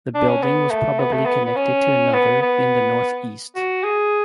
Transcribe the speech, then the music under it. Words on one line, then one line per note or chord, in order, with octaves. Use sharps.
The building was probably connected to another in the northeast.
D4
C#4
B3
A3
B3
A3
B3
B3
C#4
B3
B3
F#4
G#4